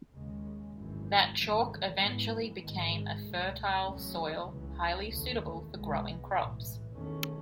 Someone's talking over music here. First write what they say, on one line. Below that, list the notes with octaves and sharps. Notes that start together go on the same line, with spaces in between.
That chalk eventually became a fertile soil highly suitable for growing crops.
D#2 C#3 G#3
G#1 F#2 E3
G#1 F#2 C#3 E3 A3
G#2 E3 B3
G#1 G#2 D#3 G#3
C#2 B2 A3
E2 C#3 F#3 A3 C#4
C#2 C#3 E3
D#2 C#3 E3 A3
B1 B2 G#3 B3
B1 A2 E3
E2 D#3 A3 C#4